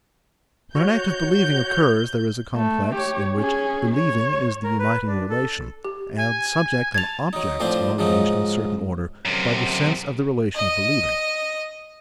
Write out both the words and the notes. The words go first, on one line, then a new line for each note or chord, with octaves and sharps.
When an act of believing occurs, there is a complex, in which 'believing' is the uniting relation, and subject and objects are arranged in a certain order by the 'sense' of the relation of believing.
F#4 C#5 G6
A3
G4 C#5
C#4 G#4
C#5
A#4
B4
D4
A4
G4
G#5
A5 G#6 A6 F7
F#3 D#4
A2 F3 C4 D4 C5
G#2 F3 F#3 D#4
F#2 C3
D#5